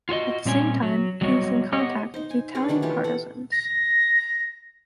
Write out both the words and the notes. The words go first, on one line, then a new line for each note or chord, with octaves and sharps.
At the same time he was in contact with the Italian partisans.
F4 F#4 C#5 D#5
A#2 G3 C4 C#4 G#5
F#3
F#3 G3 B3 F#4 C#5 D#5
B3 G4 C#5 D#5 F#5
D#4 C5
G#5
C#4 G#4 B4 C#5
D3 D#3 F#3 D4
E3 F4 G4 C#5
A4 F#5
A#6